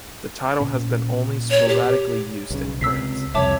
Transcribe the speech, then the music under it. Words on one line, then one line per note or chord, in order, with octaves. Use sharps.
The title has been only sporadically used in France.
A#2 C#4
C#5
G4
B1 C#3
C#2 C3 E6 B6 C7
C2 F2 C#5 E5 A5 D6